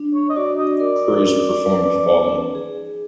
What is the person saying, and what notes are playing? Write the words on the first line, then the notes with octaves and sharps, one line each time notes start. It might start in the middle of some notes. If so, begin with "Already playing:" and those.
Cruise performed Falling.
Already playing: D4
C#5
D#5
F#4 D5
D#5
A#4 D5
C#4
B4
D#4
G#4